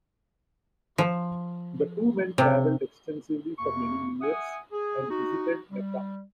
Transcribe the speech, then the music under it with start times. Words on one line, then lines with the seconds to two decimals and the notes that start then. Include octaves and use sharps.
The two men travelled extensively for many years and visited Mecca.
0.98 F3
2.38 C3
3.58 F2 C3 A#3 C#6
4.21 E5 F#5 G#5 D#6
4.72 G#4
5.09 D#4 F#4
5.70 G3